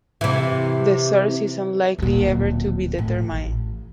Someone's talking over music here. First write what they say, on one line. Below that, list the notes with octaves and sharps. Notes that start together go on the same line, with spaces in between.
The source is unlikely ever to be determined.
C3 E3
D1 A#2
A2
A1